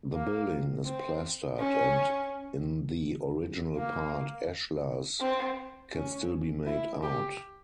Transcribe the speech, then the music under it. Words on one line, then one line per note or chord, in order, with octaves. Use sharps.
The building is plastered and in the original part ashlars can still be made out.
A#3
C4
C#4
A#3
C4
C#4
E4
G4